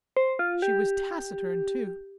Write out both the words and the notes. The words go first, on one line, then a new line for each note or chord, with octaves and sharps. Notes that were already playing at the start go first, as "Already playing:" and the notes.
She was taciturn, too.
C5
F4
G4